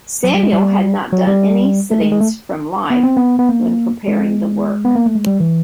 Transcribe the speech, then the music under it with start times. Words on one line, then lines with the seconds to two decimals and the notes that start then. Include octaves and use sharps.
Samuel had not done any sittings from life when preparing the work.
0.24 F#3
0.34 G3
0.43 G#3
0.53 G3
1.12 F#3
1.27 G3
1.91 A3
2.01 G#3
2.12 G#3
2.20 A3
2.90 B3
3.03 C4
3.17 B3
3.39 B3
3.49 A#3
4.08 G#3
4.85 B3
4.96 A#3
5.06 A3
5.15 G#3
5.27 G3
5.40 E3